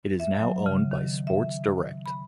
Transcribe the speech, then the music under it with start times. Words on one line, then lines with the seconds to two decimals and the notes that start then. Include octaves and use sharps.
It is now owned by Sports Direct.
0.20 E5
0.40 F#3
0.66 C#3
0.91 D#3
1.27 E5
2.06 B5